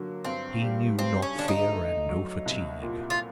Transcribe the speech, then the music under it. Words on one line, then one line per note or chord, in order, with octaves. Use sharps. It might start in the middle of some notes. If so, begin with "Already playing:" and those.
He knew not fear and no fatigue . . .
Already playing: D3 F#3 A#3
G2 C4
G3
G2 C4
C#4
D3 D4
D#4
A3
F#3
C2
A#2
F4